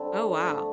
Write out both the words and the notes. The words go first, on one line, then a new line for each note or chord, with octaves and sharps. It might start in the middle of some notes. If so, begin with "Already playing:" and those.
Oh, wow.
Already playing: D3 G3 C4 D4
G2 D3 A3 D4